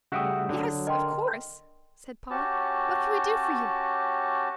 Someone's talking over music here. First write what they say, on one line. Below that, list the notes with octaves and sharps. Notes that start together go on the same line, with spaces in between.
"Yes, of course," said Paula; "What can we do for you?"
C#3 G3 A3 F#4 E5 F#5 G5 D#6
D3 F#3
A#4 D#5 G5 C6
C#4 F#4 G4 A5